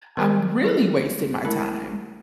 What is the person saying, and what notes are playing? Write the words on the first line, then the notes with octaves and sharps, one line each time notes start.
I'm really wasting my time,
D#3 G3 B3 A#4 C5 F#5
F#3 G3 E4 G#4 A4
G#3 A3 E4 A#4 A5 B5